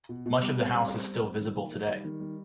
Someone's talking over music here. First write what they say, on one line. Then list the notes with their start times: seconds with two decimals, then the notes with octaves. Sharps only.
Much of the house is still visible today.
0.09 B2
0.26 B2
0.42 G3
0.58 C4
0.74 G3
0.90 C4
1.07 C4
1.23 G3
1.39 D#3
1.56 A#3
1.72 D#3
1.88 G3
2.04 D#3
2.20 G3